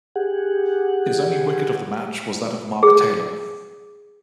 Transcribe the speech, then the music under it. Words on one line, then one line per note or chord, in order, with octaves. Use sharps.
His only wicket of the match was that of Mark Taylor.
G4 G#4 F#5
G#4